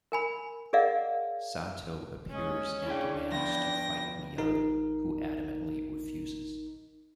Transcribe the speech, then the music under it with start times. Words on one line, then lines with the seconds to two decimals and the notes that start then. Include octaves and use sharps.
Sato appears and demands to fight Miyagi, who adamantly refuses.
0.12 A#4 G#5 B5
0.73 G#4 A#4 D5 D#5 F5 F#5
2.31 G#3 C#4
2.86 D4 E4 G#4 G5
3.32 F3 B3 G5 A#6
4.38 A1 D#4 A#4